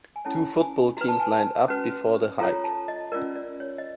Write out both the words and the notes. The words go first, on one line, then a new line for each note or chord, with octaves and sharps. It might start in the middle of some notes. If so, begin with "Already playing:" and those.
Two football teams lined up before the hike.
G#5
C#4 E4 A4 C#5 A5
G#5
F#4 B4 A#5
A5
G#5
A5
C#4 F#4 B4
F4 A4 C#5 A#5
A5
D#5
C#4 F4 A#4 D5
D5
C#5
D#5